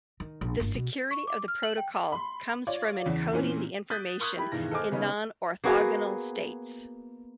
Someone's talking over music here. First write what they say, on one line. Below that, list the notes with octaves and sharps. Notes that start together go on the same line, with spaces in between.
The security of the protocol comes from encoding the information in non-orthogonal states.
D#3
A#1
G1 A#3
B2
C#6
D6
F6
F#7
G5
B5 C6
F4 C#5 D5
E2 C#3 E3
A#2 E3 C4 C#4
D#6 F#6 G6 A6 B6 D#7
A#4 C6 C#6 D#6 F#6 G#6
E4 G4 B5
E1 G2 D#3 E3 A#6
A4 C5 D#5 G#5 D6 F6
C#3 G#3 B3 C#4 D#4
A#3 B3 F#4 G#4